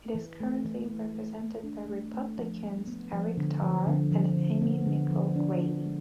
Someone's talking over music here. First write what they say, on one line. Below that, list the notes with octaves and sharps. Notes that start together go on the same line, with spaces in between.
It is currently represented by Republicans Eric Tarr and Amy Nichole Grady.
E3
A3
E3
A3
A3
E3
D4
A3
A3
F3
B3
B3
F3
D3
F3
D3
F3
D3
B3
D3
F3
D4
D4
G#3